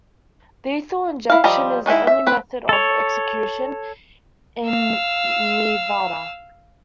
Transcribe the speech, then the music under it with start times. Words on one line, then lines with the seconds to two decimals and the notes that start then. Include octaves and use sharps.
Lethal injection is the only method of execution in Nevada.
1.30 E4 F5
1.44 F3 G3 G4 D#5 A#5
1.86 D#3 G#3 D#4 E4
2.07 E5
2.27 C4 B4
2.69 A4 C#5
4.66 F5 E6